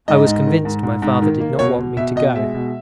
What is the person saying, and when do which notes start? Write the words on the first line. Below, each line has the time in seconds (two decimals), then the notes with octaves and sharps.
I was convinced my father did not want me to go.
0.08 G#2 D#5
0.26 G#2
0.47 D#3
0.65 G#2
0.83 G#2
1.02 G#2
1.22 D#3
1.40 A#3
1.59 B2 C#5
1.78 B2
1.97 B2 E5
2.16 B2 D#5
2.36 G#3 E5
2.55 B2